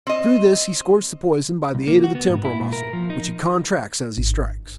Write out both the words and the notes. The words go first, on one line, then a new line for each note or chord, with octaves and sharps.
Through this he squirts the poison by the aid of the temporal muscle, which he contracts as he strikes.
C4 D#5
C2
A#3
F#4
B3
G#2
E4
A#2
A#4
F3
D#4
G#1